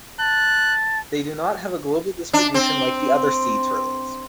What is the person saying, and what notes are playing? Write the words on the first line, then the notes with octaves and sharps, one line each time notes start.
They do not have a global distribution like the other sea turtles.
A5 F#6
D4
C4